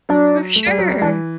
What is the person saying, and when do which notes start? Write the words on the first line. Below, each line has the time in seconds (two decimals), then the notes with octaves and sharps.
For sure.
0.09 F#3 D4
0.56 A3
0.66 G3
0.78 F#3
0.90 G3
1.01 E3 D4